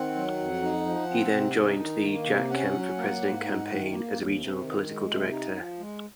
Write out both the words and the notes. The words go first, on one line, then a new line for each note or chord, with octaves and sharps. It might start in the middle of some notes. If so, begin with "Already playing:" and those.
He then joined the Jack Kemp for President campaign as a regional political director.
Already playing: D#3 C4 F#5
F#3
F2
D#4
F3
C4
C3
D#4
D#3
A#3
C3
C#4 F#5
F#3
A#3
G#2
D#4
D#3
A#3
D#2
C3
D#3
G#3
C3
D#4
F3
G#3